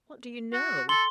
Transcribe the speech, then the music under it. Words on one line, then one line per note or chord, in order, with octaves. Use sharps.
What do you know?'
F#4
A4 C6 G7